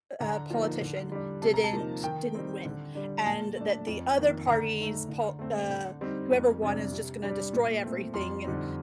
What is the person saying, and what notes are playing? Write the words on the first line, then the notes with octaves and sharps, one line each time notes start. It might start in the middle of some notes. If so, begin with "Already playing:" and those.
u uh, politician didn't didn't win and that the other parties pol uh, whoever won is just gonna destroy everything, and
D3 A#5
F3 A#3 D#4
D3
G3 D4
C3 A5
A#5
A5
F3 A#3 D#4
D#3 G5
G3 C4 D#4
D3
G3 D4
A#2 A5
A3 D4
F2
D#3 A#3 D#4
D3 A#5
A3 D#4
D3
A3 C4
D3
G3 C4 D#4
F2
C3 G3 D4
C3
G3 D4
A#2
A3 C4
F2 C6
D3 G3 C4 D#4